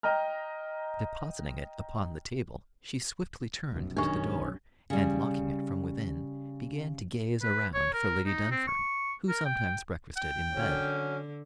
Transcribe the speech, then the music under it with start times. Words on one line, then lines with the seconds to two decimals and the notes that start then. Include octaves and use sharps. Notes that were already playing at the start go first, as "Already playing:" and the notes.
Depositing it upon the table, she swiftly turned to the door, and locking it from within, began to gaze around for Lady Dunfern, who sometimes breakfasted in bed.
0.03 D#5 G5 A#5 F6
3.72 F1 B1 F#2
3.96 D#3 C#4 D4 G4
4.90 C#3 G3
7.42 B4
7.74 C#5
7.94 A#4
8.26 D#4
8.51 C4
8.67 C#6
9.29 A#4
9.46 G5
10.17 G5
10.54 D3 F#3 C#4